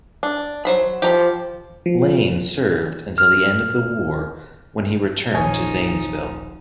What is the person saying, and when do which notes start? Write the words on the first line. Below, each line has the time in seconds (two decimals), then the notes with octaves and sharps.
Lane served until the end of the war when he returned to Zanesville.
0.23 D4
0.65 F#3 C5 B5
1.02 F3 G4 A#5 B5
1.86 F3
3.18 F6
5.34 D#1 A#1 F3 C#4 D#4 G#4 C#5